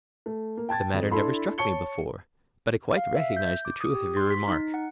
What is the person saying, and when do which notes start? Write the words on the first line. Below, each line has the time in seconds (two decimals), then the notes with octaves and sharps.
The matter never struck me before; but I quite recognise the truth of your remark.
0.26 A3
0.57 A#3
0.69 G5 A5 G#6 A6
0.94 F2
1.11 D4 E4 A4 B5 C6
1.58 C#5 A5 C#6 C#7 G7
2.97 F5
3.15 E5
3.37 G6
3.65 D6
3.81 D#6
3.95 G4
4.17 C6
4.31 B6
4.48 D#4
4.74 F#5